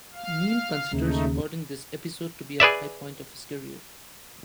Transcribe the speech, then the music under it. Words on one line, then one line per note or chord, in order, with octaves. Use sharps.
Neill considers recording this episode to be a "high-point" of his career.
F5
D#2 C#3 A3 D#4
G#4 B4 D5 E5